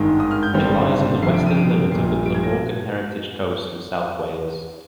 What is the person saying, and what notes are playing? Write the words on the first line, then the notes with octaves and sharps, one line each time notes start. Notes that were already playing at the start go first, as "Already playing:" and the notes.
It lies on the western limit of the Glamorgan Heritage Coast of south Wales.
Already playing: G#1 G2 D#3 G#3
D#6
F6
G6
G#1 G2 D3 G3 C4
F1 F2 D3 C7
D7
D#7
D7
A#1 A#2 G3 C7
D7
G#6
A#6